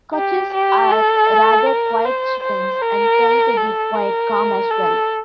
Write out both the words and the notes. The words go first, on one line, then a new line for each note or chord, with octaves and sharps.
Cochins are rather quiet chickens, and tend to be quite calm as well.
G4
G4
A4
A#4
C5
C5
A#4
A4
A#4
A4